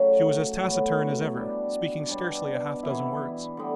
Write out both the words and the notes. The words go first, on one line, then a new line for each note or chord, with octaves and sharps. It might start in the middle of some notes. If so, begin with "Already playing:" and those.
She was as taciturn as ever, speaking scarcely a half-dozen words.
Already playing: C#3 F#3 A3
A2 F#3 B3 F#4
G3 D4 F#4
B2 G3 D4
E3 B3 E4
D3 G3 B3